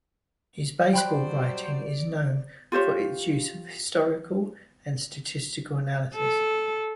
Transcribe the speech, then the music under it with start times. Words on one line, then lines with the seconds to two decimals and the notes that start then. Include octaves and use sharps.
His baseball writing is known for its use of historical and statistical analysis.
0.93 F#3 G3 C5 D5 G5 B5 F#6
2.72 F4 G4 C5 C#5
6.14 A4